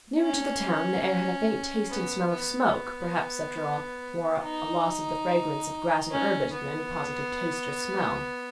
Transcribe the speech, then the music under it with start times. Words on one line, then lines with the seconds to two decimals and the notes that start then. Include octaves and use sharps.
Nearer to the town, the air had a faint taste and smell of smoke; perhaps, after all, more a loss of the fragrance of grass and herbage than any positive taste or smell.
0.21 C#4
1.90 B3
2.31 B3
4.43 D#4
6.11 C#4
6.53 B3